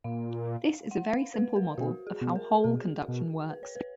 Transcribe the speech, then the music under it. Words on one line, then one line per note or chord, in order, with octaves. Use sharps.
This is a very simple model of how hole conduction works.
A#2 F5
F#5
F5
B4
A#4
B2 F#4
G#4
B2
A#4
B2 G#4
B2
B4
C#5
B4